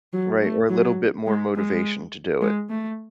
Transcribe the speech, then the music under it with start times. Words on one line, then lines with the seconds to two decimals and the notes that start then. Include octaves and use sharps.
Right? Or, a little bit more motivation to do it.
0.13 F#3
0.41 A3
0.69 F#3
1.27 G#3
1.56 G#3
2.41 G#3
2.69 A3